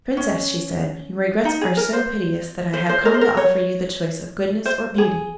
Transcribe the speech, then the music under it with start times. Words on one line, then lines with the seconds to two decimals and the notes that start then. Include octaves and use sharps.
'Princess,' she said, 'your regrets are so piteous that I have come to offer you the choice of goodness or beauty.
0.17 C#4
1.45 D#4
1.61 G#4
1.77 A#4
1.93 C5
2.73 C5
2.89 C5
3.05 A#4
3.14 C5
3.21 A#4
3.37 C#5
4.65 C5
4.98 G#4